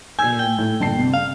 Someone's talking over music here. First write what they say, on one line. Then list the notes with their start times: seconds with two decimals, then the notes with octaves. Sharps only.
and do
0.19 G#5 E6 G6 G#6
0.39 G5
0.58 A2
0.80 G1 A5 C7
1.14 F5